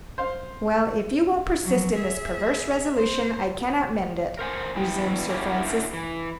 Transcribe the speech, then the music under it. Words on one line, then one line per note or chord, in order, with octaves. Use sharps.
"Well, if you will persist in this perverse resolution, I cannot mend it," resumed Sir Francis.
C5 F5
F3 F#3
G#4 E5
C5
A#4 C5 G5 G#5
E2 E4 G5
A#3 C#4 D4 E4 F#4 G4
E3